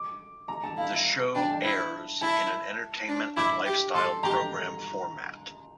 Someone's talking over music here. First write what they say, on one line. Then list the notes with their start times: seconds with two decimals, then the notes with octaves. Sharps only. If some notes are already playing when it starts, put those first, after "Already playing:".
The show airs in an entertainment and lifestyle program format.
Already playing: D6
0.48 A#5
0.64 A5
0.77 E4 F5
1.35 D4 G5
1.50 A5
1.63 E4
2.21 E4 A5
3.09 D4
3.37 E4 D6
3.66 G4
3.94 A4 C6
4.23 G4 A#5